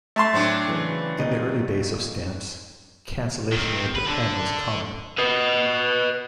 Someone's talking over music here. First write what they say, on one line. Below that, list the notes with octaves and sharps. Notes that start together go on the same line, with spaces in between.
In the early days of stamps, cancellation with a pen was common.
A3 A5 C6
A2 F#3 C4 D4
C#3 E3
A#2 D#4 D#5
D#3 C4
G5
F#2 D#3 F#3 B4
D3 D4
B4 D#5